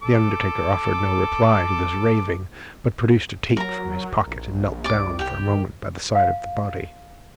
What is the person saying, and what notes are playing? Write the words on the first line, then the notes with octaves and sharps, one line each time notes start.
The undertaker offered no reply to this raving; but producing a tape from his pocket, knelt down for a moment by the side of the body.
A4 D6
F#3 A#4 A#5
A#1
C2 D5 D6
G4 G5
D#3
F5